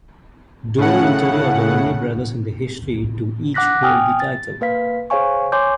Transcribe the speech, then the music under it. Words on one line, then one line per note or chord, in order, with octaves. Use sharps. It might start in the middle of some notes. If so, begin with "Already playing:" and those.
Dory and Terry are the only brothers in history to each hold the title.
A2 C#3 F#5
F#5 D6 F#6 A#6 B6
G5 G#5 D#6 F6
A6
A#3 B4 F5 B6
G#4 C5 C#5 F5 G#5 C#6
C#5 G#5 C6 D6 G6